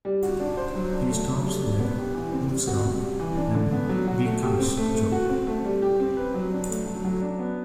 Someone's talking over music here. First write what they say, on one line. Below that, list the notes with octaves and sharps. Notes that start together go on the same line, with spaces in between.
He stops there, looks round, and beckons Jo.
G3
F#4
D4
C5
F#3
D4
A3
F#3
G3
D4
B3
G4
E3
C4
G3
F#4
C3
G3
E3
D4
D3
B3
F#3
F#4
A3
G4
C4
A3
A3
F#4
C4
A3
G3
G4
C4
B4
F#3
D4
A3
F#3
F#3
D4
B3